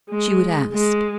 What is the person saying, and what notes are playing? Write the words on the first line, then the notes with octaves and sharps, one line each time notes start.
She would ask.
G#3
G#3